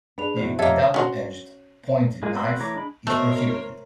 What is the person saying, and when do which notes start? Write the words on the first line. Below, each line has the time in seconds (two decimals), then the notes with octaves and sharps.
The double edged pointed knife is prohibited.
0.18 D4 G#4 B4 F7
0.37 E2 B2 E4 C5
0.59 F2 A#3 G4 A4 C#5 D#5 E5 F#5
0.94 C#4 F#4 C5
2.23 G#3 A#3 F4 G#4
2.35 C4 F#4 B4 C6 E6
2.59 E3 A3 C#5 A#5 D6
2.74 G#3 D4 B5
3.07 B2 A3 A#4 C5 C#5